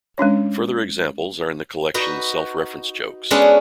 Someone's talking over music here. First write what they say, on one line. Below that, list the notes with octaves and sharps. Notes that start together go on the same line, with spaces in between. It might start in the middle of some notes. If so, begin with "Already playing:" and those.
Further examples are in the collection Self-reference jokes.
G#3 C#4 D4 C#5
D#4 F#4 B4
G#3 B3 C#4 D4 G#4 F#5